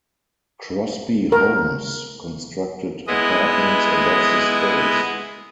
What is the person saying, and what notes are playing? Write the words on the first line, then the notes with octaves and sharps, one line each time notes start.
Crosby Homes constructed apartments above the space.
A#4
G#3 B3 E4 D#5